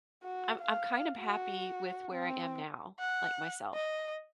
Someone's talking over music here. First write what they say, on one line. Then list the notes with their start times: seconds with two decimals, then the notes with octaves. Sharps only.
I'm I'm kind of happy with where I am now, like myself."
0.23 F#4
0.62 F5
1.19 F#4
2.12 C4
2.99 F#5
3.74 D#5